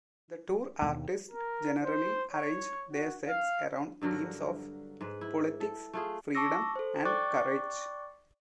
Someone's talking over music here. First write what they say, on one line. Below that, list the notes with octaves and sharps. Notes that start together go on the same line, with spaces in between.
The tour artists generally arranged their sets around themes of politics, freedom, and courage.
D#2 B2 D#3
A#4
C5
C#5
F#4
F5
G2 D3 F#3 A#4
G#2 B4
E4
A4
A3 F4 G#4
A5 C#6 D6 E6 A#6
A4 C5
D5 G5 C#6 D6 F#6 A6